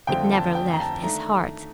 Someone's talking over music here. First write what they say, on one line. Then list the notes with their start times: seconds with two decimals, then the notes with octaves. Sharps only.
It never left his heart.
0.07 F2 D3 A3 C4 F4 G5
0.32 A5
0.55 G5
0.72 A#5
0.80 A5
1.03 D#3 A3 D4 A#5